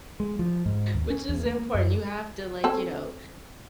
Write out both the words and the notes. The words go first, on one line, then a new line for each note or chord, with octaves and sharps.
Which is important, you have to, like, you know
G#3
F3
G#2
D#2
C#4
E2
A#3
F#2
C4 C#4 A4